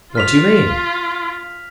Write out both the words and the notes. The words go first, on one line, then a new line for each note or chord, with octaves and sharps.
"What do you mean?"
F4 F6 B6 F7